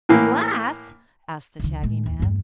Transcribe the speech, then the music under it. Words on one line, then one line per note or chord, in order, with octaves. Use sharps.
"Glass?" asked the Shaggy Man.
A2 E3 A#3
C#2 D#3
A2 G#3
D#2
E2 G2